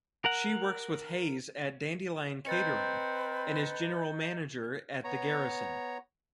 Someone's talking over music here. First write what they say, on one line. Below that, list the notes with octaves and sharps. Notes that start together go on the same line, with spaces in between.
She works with Hayes at Dandelion Catering and is general manager at The Garrison.
A#4 F#5
C4 B4 D#5 A#5 G6 A6 C#7
B3 C#5 A#5